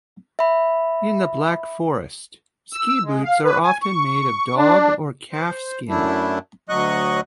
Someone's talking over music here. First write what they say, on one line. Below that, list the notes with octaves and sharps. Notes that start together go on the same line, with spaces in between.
In the Black Forest ski boots are often made of dog or calf skin.
E5 B5
E6
G#3
F5
B4
G#5
C#6
D4
C5
F#2 A3 D4 E4
D2 F#3 D#5 C#6 F#6